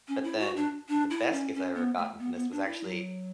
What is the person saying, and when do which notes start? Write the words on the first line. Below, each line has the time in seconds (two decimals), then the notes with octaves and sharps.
but then the best gift I've ever gotten from this was actually
0.08 C#4
0.24 E4
0.40 F#4
0.56 D4
0.89 D4
1.10 E4
1.32 C#4
1.54 C#4
1.75 B3
1.97 A3
2.19 B3
2.35 B3
2.52 D4
2.67 E4
2.84 F#3